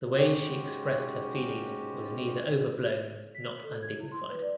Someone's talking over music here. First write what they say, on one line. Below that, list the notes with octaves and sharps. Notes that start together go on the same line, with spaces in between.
The way she expressed her feeling was neither overblown not undignified.
G#2 G#3 C#4 F#4 G4
B6
F#7
A4
G#6
E4
C6
B4
D5